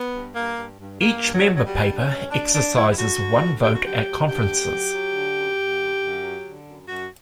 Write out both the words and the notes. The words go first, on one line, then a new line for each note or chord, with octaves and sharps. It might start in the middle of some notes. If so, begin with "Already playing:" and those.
Each member paper exercises one vote at conferences.
Already playing: B3
G2
G2 A#3
G2
G2
G2 A#3
G2
F#3
G2
F#3
F#3 G3
D3
C#4
G2
D2 D4
D3 D4
F#3 E4
E4
D3 F#4
D3
D2
D3 G4
F#4
F#3 G4
F#3
D3 G4
D2
F#3
F#3
D3
F#2
F#2
D3
F#2
F#3
D3
F#2
F#2 F#4